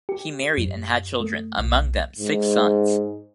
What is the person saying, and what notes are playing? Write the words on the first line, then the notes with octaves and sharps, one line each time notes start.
He married and had children, among them six sons.
G4
F#2
A3
B1
G#2